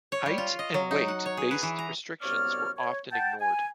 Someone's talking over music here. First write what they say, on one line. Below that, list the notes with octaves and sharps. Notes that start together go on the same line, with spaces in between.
Height- and weight-based restrictions were often ignored.
C#5
G3
F4
D#5
F#3
D#4
F#5
C#5
G#4
B4
E3
A#5
C2 F#2 B3 C#5 D5 F6
C#5
F#5 G5 A5
G#5